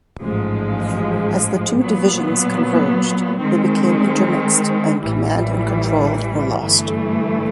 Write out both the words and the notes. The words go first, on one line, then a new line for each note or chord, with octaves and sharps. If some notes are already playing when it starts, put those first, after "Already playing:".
As the two divisions converged they became intermixed and command and control were lost.
A1 G#2 F3 G#3
A#2 F#3 B3
D#3 G#3 C4
A1 A2 E3 G3
G1 G2 E3 A3